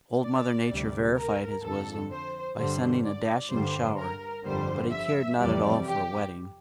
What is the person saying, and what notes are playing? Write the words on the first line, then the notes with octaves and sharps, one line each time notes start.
Old Mother Nature verified his wisdom by sending a dashing shower, but he cared not at all for a wetting.
D5
D2 C3 G3
A#4
F2 D3 F3 A4
C5
G2 D3 G3 C5
D5
G2 D3 G3 C5
A#4
G1 F2 D3 G3 C5
E5
F2 C3 E3 G3 D5
G4